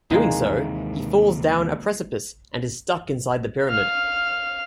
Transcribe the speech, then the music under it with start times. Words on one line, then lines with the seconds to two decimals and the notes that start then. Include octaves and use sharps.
Doing so, he falls down a precipice and is stuck inside the pyramid.
0.11 D#2 C3 E3 G#3 A#3 D#4 G5
3.69 F5 F6